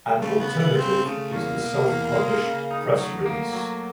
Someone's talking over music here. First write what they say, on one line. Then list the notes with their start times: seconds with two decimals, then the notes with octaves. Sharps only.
An alternative is the "self-published press release".
0.22 C#3 A3
0.40 B3
0.49 C#3
0.59 B3
0.77 C#3 C4
1.05 C#3 A3
1.33 E2 A#3
1.60 B2
1.87 E2
2.15 G#3
2.43 C#3
2.71 D#4
2.97 F#3 A3
3.26 A#3
3.53 F#3